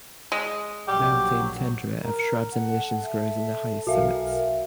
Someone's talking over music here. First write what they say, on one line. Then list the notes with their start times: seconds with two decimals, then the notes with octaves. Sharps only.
Mountain tundra of shrubs and lichens grows in the highest summits.
0.32 G#3
0.88 A#1 F#3 G4
2.04 A#4
2.53 A4 F#5
3.03 E5
3.87 B1 F#4 A#4 E5 F5